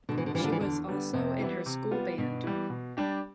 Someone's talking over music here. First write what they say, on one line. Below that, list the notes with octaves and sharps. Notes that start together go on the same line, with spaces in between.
She was also in her school band.
B2 D3
E3
D3
E3 G3 D4 F4
D3
E3
E2 D3
D3 G3 B3
F2 C3
E3 G3 B3 E4
C3
G3 B3 F4
G2 B2
E3 G3
B2
G3 D4 G4